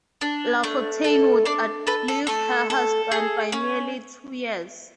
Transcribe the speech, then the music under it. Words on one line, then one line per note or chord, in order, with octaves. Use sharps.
Lafontaine would outlive her husband by nearly two years.
D4
A3
A4
D4 D5
A4 B4
A4
A3 A4
A4
G#4
C#4